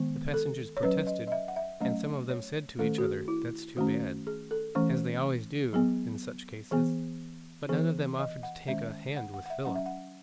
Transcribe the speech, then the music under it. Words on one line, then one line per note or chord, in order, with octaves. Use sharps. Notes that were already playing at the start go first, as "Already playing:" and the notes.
The passengers protested, and some of them said to each other, "That's too bad," as they always do in such cases, but none of them offered to take a hand with Philip.
Already playing: D#3 G#3 B3
A4
C#5
F#3 C#4 B4
D#5
D#5
E5
F#5
E5
F#3 A3 C#4 D#5
C#5
D#3 A3 C#4 A4
F#4
G#4
E4
D#3 A3 C#4 F#4
G#4
A4
E3 A3 C#4
F#3 B3 G#4
E3 B3 G#4
E3 B3 G#4
D#5
F#5
D#3 G#3 C#4 E5
F#5
F#5
F#5
E5
F#3 C#4 F#5
E5
F#5